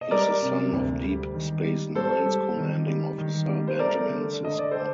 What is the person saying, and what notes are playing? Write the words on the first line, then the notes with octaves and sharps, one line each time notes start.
He is the son of Deep Space Nine's commanding officer, Benjamin Sisko.
D#5
G3 A#4 D5
C3
D2
G3
D#3
G3
G3 A4 C5
G3
D#3
G3
D#3
G3
C5
A3 A#4 D5
D3
D3 D#5
D5
A4 C5